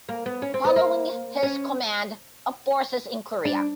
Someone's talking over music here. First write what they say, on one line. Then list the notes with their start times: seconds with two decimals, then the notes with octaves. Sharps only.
Following his Command of forces in Korea.
0.09 A#3
0.26 B3
0.42 C#4
0.54 C4
0.65 B3
0.76 A#3
1.43 C#4
3.45 D4